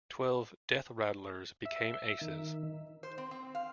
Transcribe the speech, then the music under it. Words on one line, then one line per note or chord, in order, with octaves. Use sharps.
Twelve "Death Rattlers" became aces.
E5
D#3
C5
C4
C4
F5